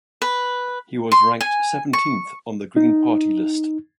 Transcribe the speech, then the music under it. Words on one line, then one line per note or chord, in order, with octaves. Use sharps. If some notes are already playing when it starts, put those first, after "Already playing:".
He was ranked seventeenth on the Green Party list.
B4
C6
G#5
C#6
D#4